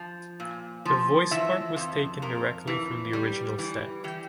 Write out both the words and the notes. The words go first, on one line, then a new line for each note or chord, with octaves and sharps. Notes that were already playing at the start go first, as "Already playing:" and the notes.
The voice part was taken directly from the original set.
Already playing: F3
A#2
F3
E3 E5
F2
F2 A#4
E3
G3
E3
E3 G4